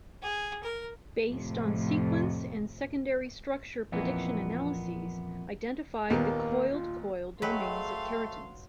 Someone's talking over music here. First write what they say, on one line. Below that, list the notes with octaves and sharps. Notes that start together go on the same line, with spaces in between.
Based on sequence and secondary structure prediction analyses identified the coiled-coil domains of keratins.
G#4
A#4
F2 A2 C3
F2 A#2 E3 B3
D#2 A#2 A#3 B3
F4
F#3 A3 G#4 B4 D#5 F5 G5 C6